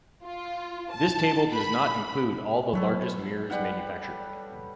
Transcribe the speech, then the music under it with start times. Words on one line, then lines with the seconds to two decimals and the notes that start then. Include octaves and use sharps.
This table does not include all the largest mirrors manufactured.
0.24 F4
0.92 A5
1.51 B5
2.73 F#3 A4 B4 C#5
3.50 G3 B4 F#5